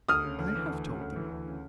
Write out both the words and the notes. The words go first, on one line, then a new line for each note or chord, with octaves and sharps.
"I have told them."
D2 D#6 F6
C#3
D2
E3
D2
C#3
D2
E3
D2
C#3